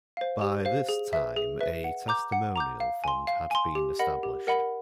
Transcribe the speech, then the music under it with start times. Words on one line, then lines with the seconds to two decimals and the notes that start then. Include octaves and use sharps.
By this time, a testimonial fund had been established.
0.17 C5 F5
0.41 G4
0.65 C5 F5
0.89 G#4
1.13 B4 E5
1.36 G#4
1.61 B4 E5
1.84 F#5
2.08 A#5 D6 G6
2.32 F#5
2.56 A#5 D6 G6
2.80 F5
3.04 G#5 C6
3.27 F5
3.51 G#5 C6
3.75 G4
3.99 A#4 D#5 F#5 B5
4.23 G4
4.47 A#4 D#5 F#5 B5